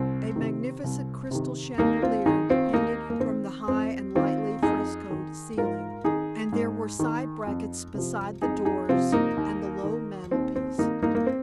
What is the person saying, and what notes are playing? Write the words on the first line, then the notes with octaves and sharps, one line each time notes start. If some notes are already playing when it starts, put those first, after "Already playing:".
A magnificent crystal chandelier depended from the high and lightly frescoed ceiling and there were side brackets beside the doors and the low mantel piece.
Already playing: C2 C4
C3 D#3
C2
C3 D#3
D#2 A#3 D#4
C4 F4
D#3 D#4 G#4
C4 F4
D#2 A#3 D#4
A#3
D#3 C4
F2 C4
D#3 C4 F4
F2 D#4 G#4
D#3
G#2 F4 A#4
D#3 D#4 G#4
G#2
D#3
F2
C3 F3
F2 D#4 G#4
D#4 G#4
C3 F3 C4 F4
A#3 D#4
D#2
D#3
D#2 C4
C4
D#3 A#3 D#4
A#3 D#4
A#3
C4